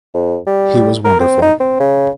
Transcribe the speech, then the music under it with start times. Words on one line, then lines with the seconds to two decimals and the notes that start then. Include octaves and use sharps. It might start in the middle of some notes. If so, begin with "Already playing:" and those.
He was wonderful.
0.14 F2
0.47 G3
1.04 A#4
1.20 C4
1.42 D#4
1.60 C4
1.80 C#3